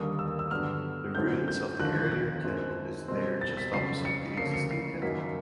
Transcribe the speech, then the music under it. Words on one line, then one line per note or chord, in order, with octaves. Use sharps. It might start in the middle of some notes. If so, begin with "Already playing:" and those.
The ruins of the earlier temple is there just opposite the existing temple.
Already playing: D#2 D3 G3 A#3 D#6
E6
E6
G2 D3 F#3 B3 F6
F#2 D3 F#3 A3 C4 G6
G6
D#2 D3 F3 F#6
F#6
F#2 D#3 G#3 C4
B2 G3 C4
A6
B6
F2 C#3 F#3 C7
C#7
D2 C#3 F3 A#3 C7
C#7
C7
F#2 D#3 F#3 A#3 B6